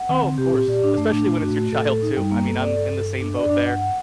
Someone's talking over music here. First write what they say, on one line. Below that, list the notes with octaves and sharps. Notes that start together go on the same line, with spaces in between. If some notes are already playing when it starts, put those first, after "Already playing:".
Oh, of course. Especially when it's your child, too. I mean, I'm in the same boat there.
Already playing: F#5
D#3 C4
D3 C4
C3 G4
A#2 G4
A#2 D5
A2 D4
G2 A3
A2 D4
A#2 A3
G2 F#4
A2
A3
A2 A4
A4
D#4
G2 G3
A#3
A4
D5
A4
A4
A4
D4
D5
F#2
G2 D4
F#5
F#5